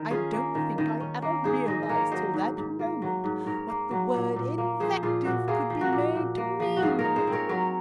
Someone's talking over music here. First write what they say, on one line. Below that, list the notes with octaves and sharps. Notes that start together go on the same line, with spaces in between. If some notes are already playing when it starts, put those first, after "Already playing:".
I don't think I ever realised till that moment what the word 'invective' could be made to mean.
Already playing: D#3 A#4
C#4 F4 G#4
A#3
D#3
D#3
C#4
A#3
G#2 G#4 C5
G#2 C5 D#5
D#5
A#3 A#4 C#5
F#3 C5 D#5
G#2
G#2
A#3
F#3
G#2
G#2 A#4 C#5
A#3
F#3
A#2
A#2
A#3
F3 G#4 C5
A#2 F4 G#4
A#2 F#4
A#3 F4 G#4
F3
F#4 A#4
A#2
A#2
A#3
F3
F#4
G#2 F4 G#4
A#4 C#5
D#4
G#4 C5
C4
A#4 C#5
F#3 A#4 C#5